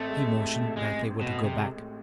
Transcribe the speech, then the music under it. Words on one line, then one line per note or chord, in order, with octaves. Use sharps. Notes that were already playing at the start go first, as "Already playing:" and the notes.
He motioned that they were to go back.
Already playing: A1 A3 C4
G#3
A2
A1 G#3
C4
B2
C3 G#3
A2